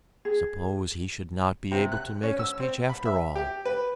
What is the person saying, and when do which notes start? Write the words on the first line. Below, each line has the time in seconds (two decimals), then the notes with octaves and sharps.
Suppose he should not be able to make a speech after all!
0.25 G#4
1.71 C3
1.92 F#6
2.23 C#4
2.39 E6
2.60 C4
2.89 B5
3.05 E5
3.35 G4
3.65 B4